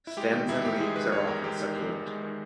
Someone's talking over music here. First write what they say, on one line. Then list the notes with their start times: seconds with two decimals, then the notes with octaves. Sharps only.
Stems and leaves are often succulent.
0.07 E4
0.17 G#3 G4
0.32 D#3 G4
0.49 E2 E4
0.65 E2 G4
0.80 G#3 G#4
0.96 D#3 B4
1.12 E2 C#5
1.27 E2 A#4
1.43 G#3 G4
1.60 D#3
1.75 E2
1.92 E2
2.07 G#3
2.24 D#3